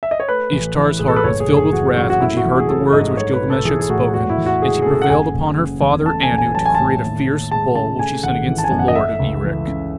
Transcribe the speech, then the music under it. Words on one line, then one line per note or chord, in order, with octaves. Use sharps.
Ishtar's heart was filled with wrath when she heard the words which Gilgamesh had spoken, and she prevailed upon her father Anu to create a fierce bull which she sent against the lord of Erech.
E5
D#5
C#5
A3 B4
A1
E3
A2 G#4
A4
B4
F#1 C#5
G#4
F#1
G#4
E3 F#4
F#2 F#4
F#4
A3 E4
F#4
A1
G#4
F#3 A4
G#2 D#5
A3 C#5
B4
B1
A4
E3 G#4
G#4
A2 F#4
E2 F#4
E4
E2
F#4
G#3 G#4
G#4
C#3 A4
F#5
F#1 G#5
F#1
C#3
E2
A3 A5
G#5
A1
G#5
F#3 A5
G#5
A2 A5
D#2
D#2
G#3 A5
C#3 A5
A3 G#5
G#1 F#5
E3
A5
G#5
F#2
F#5
D#5
A3 E5
C#2
E3
C#3